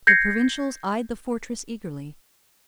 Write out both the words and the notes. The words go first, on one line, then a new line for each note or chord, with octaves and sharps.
The Provincials eyed the fortress eagerly.
G6 G#6 A#6 C7 C#7